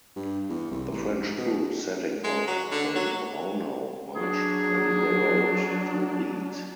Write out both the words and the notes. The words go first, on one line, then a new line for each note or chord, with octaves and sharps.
The French troops setting off from Braunau marched on the road to Ried.
G2
E2
C2
A1
G#2
B2
G#3
F#3
D3
F#3
F#3 D4 G#4